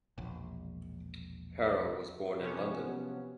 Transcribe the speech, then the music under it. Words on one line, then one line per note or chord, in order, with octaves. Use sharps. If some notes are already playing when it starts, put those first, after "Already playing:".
Harrow was born in London.
E1 A#1
C3 F3 F#3 B3 C#4